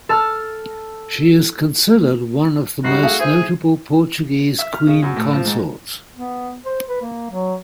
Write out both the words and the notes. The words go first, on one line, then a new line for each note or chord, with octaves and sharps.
She is considered one of the most notable Portuguese queen consorts.
A4 A5 F6
G#1 G3 F#4 C7
A3 G#4 F5
E4 G#4 C5
E5
F6
C#3
F#2
A2
F3
G#2
B3
C5
B4
A#3
F#3